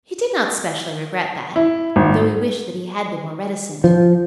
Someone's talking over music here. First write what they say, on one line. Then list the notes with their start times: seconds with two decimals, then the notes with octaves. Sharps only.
He did not specially regret that, though he wished that he had been more reticent.
1.56 E4
1.96 G#1
3.84 F3